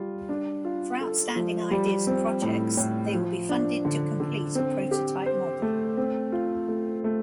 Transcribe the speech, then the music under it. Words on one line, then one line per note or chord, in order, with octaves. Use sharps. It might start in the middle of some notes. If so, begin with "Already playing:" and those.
For outstanding Ideas and Projects, they will be funded to complete a prototype model.
Already playing: G3 F4
D4
F4
A4
F3
G3
C4
A2
A2
F3
D4
D3
D3
C4
G4
C5
A3
C4
F4
A3
A3